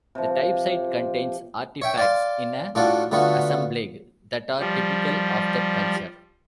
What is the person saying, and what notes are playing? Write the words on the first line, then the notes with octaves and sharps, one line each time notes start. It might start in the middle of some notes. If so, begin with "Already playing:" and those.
A type site contains artifacts, in an assemblage, that are typical of that culture.
C3 F3
C#5 E5 G5
D5 F5 C6
A2 D4 F4 F#4 A4
D3 A3 B3 F4 F#4
F3 G3